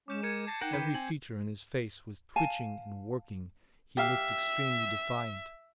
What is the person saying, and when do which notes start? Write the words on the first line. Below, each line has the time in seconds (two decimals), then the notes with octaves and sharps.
Every feature in his face was twitching and working; he looked extremely defiant.
0.08 G#3 C#4 D6 G6 E7
0.23 A#4 G#6 C#7 D#7
0.47 A5 G#6 A#6 C7
0.61 D#4 A#4 F#5 G5 G6
0.73 D#3 B4
0.94 C4 G#5 F#7
2.36 F5 G#5 A5
3.97 G4 E5 F5